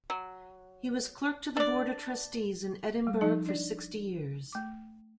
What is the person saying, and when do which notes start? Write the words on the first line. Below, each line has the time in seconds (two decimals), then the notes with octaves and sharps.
He was clerk to the Board of Trustees in Edinburgh for sixty years.
0.10 F#3
1.57 D4 D5
3.07 G3
3.21 F3 D#4 D#5 A5
3.46 D4 D5
4.53 A3 D6